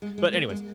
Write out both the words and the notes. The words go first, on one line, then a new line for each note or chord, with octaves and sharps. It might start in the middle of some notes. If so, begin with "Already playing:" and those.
but anyways,
G#3
G#3
A#3
G#3